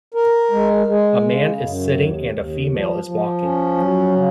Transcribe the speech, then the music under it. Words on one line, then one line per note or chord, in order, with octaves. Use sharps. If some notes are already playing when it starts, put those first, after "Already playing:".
A man is sitting and a female is walking.
A#4
G#3
G#3
C#3
F#2
D#2
D#2
F3
F3
C#4
F#3
C#3